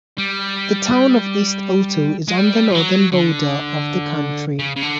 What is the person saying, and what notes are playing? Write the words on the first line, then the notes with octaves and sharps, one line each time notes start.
The town of East Otto is on the northern border of the county.
G3
G#3
G3
F3
F#3
D3
C#3
C#3
D3